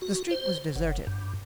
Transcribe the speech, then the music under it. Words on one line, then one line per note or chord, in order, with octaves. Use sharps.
The street was deserted.
F#4
C5
F#1
G2